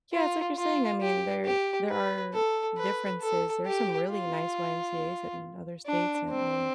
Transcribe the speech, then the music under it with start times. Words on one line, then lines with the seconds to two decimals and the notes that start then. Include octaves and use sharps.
yeah, it's like you're saying, I mean, there there are differences, there are some really nice YMCAs in other states and, um,
0.13 F4
0.57 F4
1.01 G4
1.45 G4
1.89 B4
2.34 A4
2.78 B4
3.21 A4
3.66 G4
4.10 F4
5.86 D4
6.30 C4